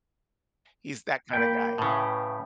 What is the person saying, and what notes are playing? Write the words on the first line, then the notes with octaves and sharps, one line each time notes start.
he's that kinda guy.
A#3 G5 B5
A2 C#3 B4